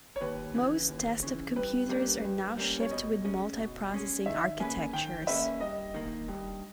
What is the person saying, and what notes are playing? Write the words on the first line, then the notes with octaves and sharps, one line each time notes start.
Most desktop computers are now shipped with multiprocessing architectures.
C#5
D#2 B4
C#3 E3
D#2
C#3 E3
G2 B4
G3 A#3 C#4
G2
G3 A#3 C#4
C#5
B2 D#5
G#3 C#4 G#4
B2
G#3 C#4 G#4
D#3 E5
A#3 C#4 G#4 B4 G#5
D#3 G5
A#3 C#4 G#4 B4 E5
G2 D#5
D#3 A#3
G2